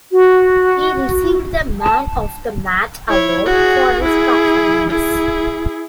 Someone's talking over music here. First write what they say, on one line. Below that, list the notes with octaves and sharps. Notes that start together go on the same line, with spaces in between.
He received the man of the match award for his performance.
F#4
A5
E4 C#5
F#4 G#4
E4 G#4
E4 G#4